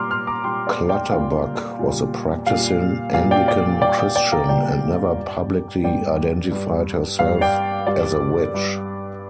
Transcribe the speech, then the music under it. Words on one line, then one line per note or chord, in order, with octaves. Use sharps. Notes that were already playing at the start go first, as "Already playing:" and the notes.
Clutterbuck was a practising Anglican Christian, and never publicly identified herself as a witch.
Already playing: A#2 G3 A#5 C6 D6 F6
C6 F6
A#5 D6
A#2 G3 G5 C6
D5
D5 G5
A#2 G3 F5
A#2 G3
A#2 G3 F5
A#2 G3 F5
D5 G5
D5 G5
A#2 G3 D5 G5
D5 G5
D5 G5
F5 A#5
A#2 G3 D5 G5
G2 G3
G2 G3 D5 G5
G2 G3
G2 G3 F5
D5 G5
G2 G3 D5
G2 G3